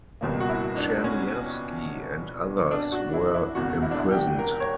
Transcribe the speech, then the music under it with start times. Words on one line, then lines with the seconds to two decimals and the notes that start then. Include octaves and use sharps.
Czerniawski and others were imprisoned.
0.21 C#2 B2 G3 A#3
0.40 F#4
0.49 E4
0.77 D4
1.04 C#4
2.71 D4
2.92 F#4
3.13 E4
3.34 E4
3.55 E1 E2 C#3 F#4
3.82 E4
3.91 D4
3.99 E4
4.11 G4
4.39 A#4
4.60 C#5